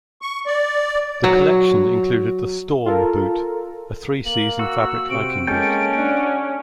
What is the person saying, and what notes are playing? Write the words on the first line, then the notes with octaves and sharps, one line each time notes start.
The collection included the "Storm" boot, a three-season fabric hiking boot.
C#6
D5
F#3
F4 A4 A#4
A#3 F#7
F#4 E6
C3 C4 D7
G#3 A#3 C#4 A4 G5
D4 F#5